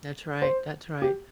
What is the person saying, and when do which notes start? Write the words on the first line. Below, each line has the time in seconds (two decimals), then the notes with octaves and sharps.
That's right, that's right.
0.42 C5
1.02 G4